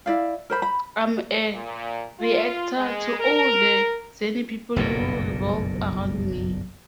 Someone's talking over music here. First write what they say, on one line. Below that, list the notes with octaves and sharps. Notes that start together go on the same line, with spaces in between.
I'm a reactor to all the zany people who revolve around me.
E4 D5 F5
A#4 C5 B5
B5
A#2
F4
G#3
A#4
F#1 B1 G2 A#2